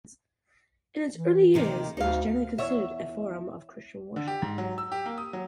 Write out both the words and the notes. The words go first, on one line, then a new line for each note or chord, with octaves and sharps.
In its early years it was generally considered a forum of Christian worship.
E3
D#2 C3 D#3
D2 D#4 F5
E2 C#5 E5
D3
G4
G#2
F#3
E6
G4
A#3
D#6
F#3